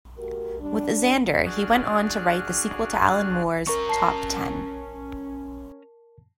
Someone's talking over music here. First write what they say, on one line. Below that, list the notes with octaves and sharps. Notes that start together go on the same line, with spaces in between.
With Zander he went on to write the sequel to Alan Moore's "Top Ten".
A3 F#4 G4 A#4
G3 D4
D4 F#4 G#4 D5 F6 F#6
C#4 A#4 A#5 C#6
A5 C7